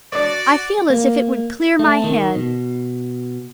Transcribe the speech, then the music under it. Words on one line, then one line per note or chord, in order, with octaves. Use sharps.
"I feel as if it would clear my head."
D4 F#4 C#5 D5 A6
A#3
A3
D#3
B2